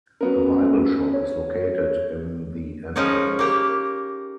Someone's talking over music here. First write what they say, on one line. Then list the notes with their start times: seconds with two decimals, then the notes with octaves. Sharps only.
A bible shop is located in the entrance.
0.21 F#3 B3 C#4 A#4
1.14 C#5
2.96 F3 G#3 C#4 D#4 A#4 C#5
3.39 A#3 G4 A#5